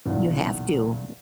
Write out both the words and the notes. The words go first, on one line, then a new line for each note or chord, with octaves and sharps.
You have to.
B1 E2 A#2 C#3 E3